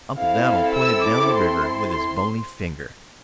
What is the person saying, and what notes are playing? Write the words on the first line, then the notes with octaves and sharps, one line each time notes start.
Uncle Dan'l pointed down the river with his bony finger.
C4 E4 A4 F5
E6
D6
C6
C6